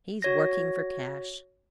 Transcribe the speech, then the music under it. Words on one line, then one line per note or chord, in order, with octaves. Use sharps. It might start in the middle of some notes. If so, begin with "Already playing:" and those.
He's working for cash.'
F#4 C#5 A#6